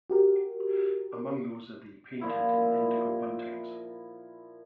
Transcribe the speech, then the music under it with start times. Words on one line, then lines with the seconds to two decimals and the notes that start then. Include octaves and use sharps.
Among those are the painted and indigo buntings.
0.10 F#4 G4 A#4
2.20 A#2 F3 E4 C#6